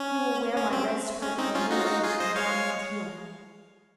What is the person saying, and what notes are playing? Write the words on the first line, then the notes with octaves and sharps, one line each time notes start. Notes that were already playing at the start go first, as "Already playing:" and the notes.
He will wear my red skirt and blue waist and brown mantilla.
Already playing: C#4
C#4
C4
C#4
C4 D#4
C#4 F4
D#4 F#4
F4
D#4 F#4
F4 G#4
C5 D#5
C#5 F5